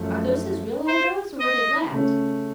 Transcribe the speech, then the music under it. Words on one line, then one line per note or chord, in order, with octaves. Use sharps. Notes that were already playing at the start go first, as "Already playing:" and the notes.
"Are those his real eyebrows or were they blacked?"
Already playing: F#2 F3 A3
C5
D#5
C#3 A3 C#4